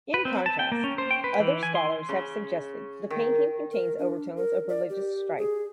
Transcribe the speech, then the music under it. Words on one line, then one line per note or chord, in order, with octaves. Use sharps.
In contrast, other scholars have suggested the painting contains overtones of religious strife.
B4
C4
A5
G5
A#3
C#4
C5
G5
B4
E3
G#5
C6
C#3
D#3
A#4
D4
A#4
D5
G4
G#4